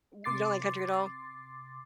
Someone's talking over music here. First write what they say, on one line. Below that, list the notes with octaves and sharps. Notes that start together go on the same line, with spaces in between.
W you don't like country at all?
C3 C6 D6 A6 C7